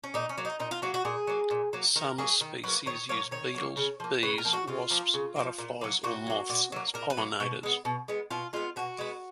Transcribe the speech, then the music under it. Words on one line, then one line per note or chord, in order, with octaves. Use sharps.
Some species use beetles, bees, wasps, butterflies or moths as pollinators.
C#4
A#2 D#4
C#4
F#3 A#3
D#4
A#2 D#4
F4
F#3 A#3 F#4
F#4
A#2 G#4
F#3 A#3
A#2
F#3 A#3
D#3 A#4
F#3 A#3 G#4
D#3
F#3 A#3 B4
D#3 C#5
F#3 A#3 C#5
D#3 C#5
F#3 A#3
C#3
F3 A#3
C#3 B4
A#4
F3 A#3
F#4
C#3 F4
F3 A#3
C#3
F3 A#3
A#2
F#3 A#3
A#2 F#4
F#3 A#3
A#2
F#3 A#3
A#2 A#4
B4
F#3 A#3
B2
G#3 B3
B2
G#3 B3
B2 F4
G#3 B3 F4
B2 F#4
G#3 B3